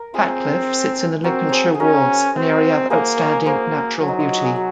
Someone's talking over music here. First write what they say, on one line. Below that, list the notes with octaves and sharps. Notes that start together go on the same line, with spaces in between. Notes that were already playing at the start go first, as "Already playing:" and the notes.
Hatcliffe sits in the Lincolnshire Wolds, an Area of Outstanding Natural Beauty.
Already playing: A#4
C4 F4 G#4
C4 F#4 A#4
G#4 C5 C#5
G#4
C#4 F#4 A#4
C4
A#3 G#4 C5
A#4 C#5
A#3 G#4 C5
F#3
D#4
F4
F#4
G#4
F#4